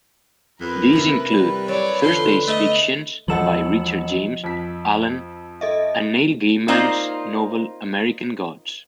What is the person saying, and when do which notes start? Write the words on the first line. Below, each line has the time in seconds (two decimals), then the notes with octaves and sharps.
These include "Thursday's fictions" by Richard James Allen and Neil Gaiman's novel "American Gods".
0.61 F2 A#4 B4
0.93 C3 E4
1.30 G3
1.68 F#3 B4 C#5 D5 A5
2.03 E2 D3 F3 C6
2.48 A3 D#5
3.28 E1 F3 A4 D#5 F#5 E7 F#7
4.44 F2 B6
5.61 A4 D#5 E5
6.68 A#3 C4 D#4 F4 C5 D5